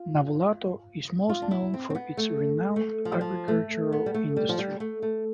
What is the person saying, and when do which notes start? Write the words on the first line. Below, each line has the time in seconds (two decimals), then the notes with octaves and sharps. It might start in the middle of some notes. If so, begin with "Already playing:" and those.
Navolato is most known for its renowned agricultural industry.
Already playing: F4
1.29 F4
1.42 D4
1.51 E4
1.74 C4
1.90 C4
1.95 B3
2.17 A3
2.76 A3
3.05 F3
3.12 G3
3.21 F3
3.48 A3
3.92 B3
4.06 G3
4.14 A3
4.37 G3
4.49 F3
4.59 G3
4.80 A3
5.02 A3